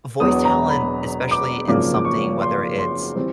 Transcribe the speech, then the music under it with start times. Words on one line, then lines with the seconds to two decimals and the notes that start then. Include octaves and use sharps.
voice talent, especially in something, whether it's
0.20 E1 E2 B2 F#3 B3 D#6
0.45 A#5
0.70 B5
1.31 D6
1.68 G#1 F#2 C#3 F3 A#3 D6
1.94 D6
2.05 C#6
2.42 C6
2.79 C6
3.15 E3 G3 C4